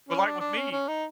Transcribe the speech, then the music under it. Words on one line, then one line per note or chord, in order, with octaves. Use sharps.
Well, like, with me,
C#4
D4
D4
C#4
C#4
D#4